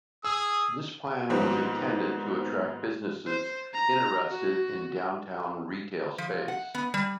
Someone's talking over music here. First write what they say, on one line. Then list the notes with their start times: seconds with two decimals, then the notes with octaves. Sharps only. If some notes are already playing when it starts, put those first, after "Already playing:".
This plan was intended to attract businesses interested in downtown retail space.
0.25 G#4 D#6 E6
1.30 G#2 D#3 F3 G3 A#3 B3
3.27 C5
3.74 A#5
4.31 F#4
6.18 F3
6.48 F#5
6.75 B3
6.94 G3